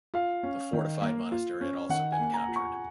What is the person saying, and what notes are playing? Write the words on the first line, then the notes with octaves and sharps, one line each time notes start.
The fortified monastery had also been captured.
F4 F5
C#4
D#3
A#3
F4
C#4
D#3 F#5
G#5
A#3
A#5
F4
C#6